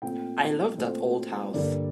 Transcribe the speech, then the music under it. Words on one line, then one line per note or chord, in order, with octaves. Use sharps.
I love that old house.
A#2 A3 C4 G5
A#2 A3 C4 C5
G2 D3 G3 A#3 D5